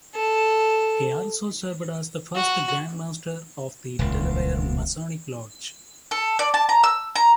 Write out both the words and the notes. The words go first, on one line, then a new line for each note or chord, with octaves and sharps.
He also served as the first Grand Master of the Delaware Masonic Lodge.
A4
F#4
D#1 C#2
A4
D5
A5
A#5
E6
A#5